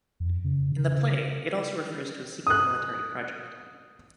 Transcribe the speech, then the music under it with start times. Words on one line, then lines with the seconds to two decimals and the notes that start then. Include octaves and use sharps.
In the play, it also refers to a secret military project.
0.20 F2
0.44 C#3
0.72 C#3
2.47 D#6 F#6